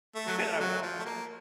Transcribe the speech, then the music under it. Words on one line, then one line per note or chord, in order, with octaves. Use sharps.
And I walked
A3
F#3
A3
F#3
F3
A3
A#3